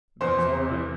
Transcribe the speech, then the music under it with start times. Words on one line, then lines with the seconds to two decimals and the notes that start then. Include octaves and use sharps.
"That is all right."
0.21 E2 C5 C6
0.38 E2
0.55 C3
0.72 E3